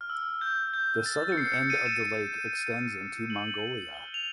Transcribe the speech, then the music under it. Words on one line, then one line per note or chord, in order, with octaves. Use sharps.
The southern end of the lake extends into Mongolia.
F6
E6
G6
G6
A6
C#7
C7
C#7
D#7
E7
F#7
G7
F7